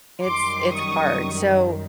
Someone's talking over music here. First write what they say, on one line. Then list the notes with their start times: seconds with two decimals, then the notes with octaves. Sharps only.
It's it's hard. So
0.23 F#2 D#3 G3 C6 D6
0.75 C#6 D#6